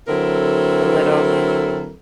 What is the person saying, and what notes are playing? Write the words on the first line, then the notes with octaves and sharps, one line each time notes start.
a little.
D3 F#3 C4 E4 A4 A#4